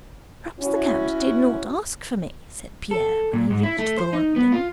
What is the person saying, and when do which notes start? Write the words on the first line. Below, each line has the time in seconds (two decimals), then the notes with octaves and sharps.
"Perhaps the count did not ask for me," said Pierre when he reached the landing.
0.59 C#4 E4 F#4
2.91 A4
3.33 A#2
3.50 G#2
3.63 E4
3.79 A3
3.98 C5
4.13 D#4
4.36 B3
4.52 F4